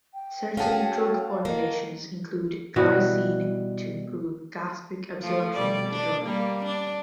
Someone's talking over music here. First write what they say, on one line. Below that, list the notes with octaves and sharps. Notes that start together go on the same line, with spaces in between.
Certain drug formulations include glycine to improve gastric absorption of the drug.
G5
C#4 F#4 G#4 F5 F#5 A5
D#3 A#3
B2 E3 G3 F#4
F3 A3
B2 G3 D5
D4
G3 A#3
D4